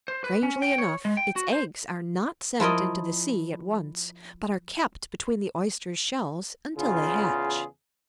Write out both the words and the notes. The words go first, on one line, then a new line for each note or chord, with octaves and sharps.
Strangely enough, its eggs are not sent into the sea at once, but are kept between the Oyster's shells until they hatch.
C5
B4
C#4
G5
C#5
G#3
G5
F#4
C5
F3 E4 A#4 D#5
E2 C#3 F4 G#4